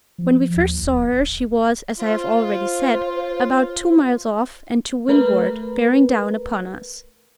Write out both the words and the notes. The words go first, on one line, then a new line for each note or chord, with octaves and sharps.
When we first saw her, she was, as I have already said, about two miles off and to windward, bearing down upon us.
F3
D#2
D1
F4 C5
A3 A#4 B4